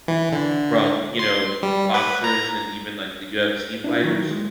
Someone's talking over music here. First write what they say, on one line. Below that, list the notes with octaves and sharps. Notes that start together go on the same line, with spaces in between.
from, you know, boxers and even, like, the UFC fighters
E3
D3
C6
G3
B4
A#5
D4 E4 B4
D#3 F#3 E4
G#3